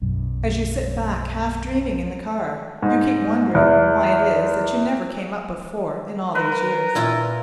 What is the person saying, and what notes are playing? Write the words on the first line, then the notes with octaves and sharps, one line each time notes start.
As you sit back half dreaming in the car, you keep wondering why it is that you never came up before in all these years.
B1 F#2
G#2
E2
A#4 B4
A#2 E4 F4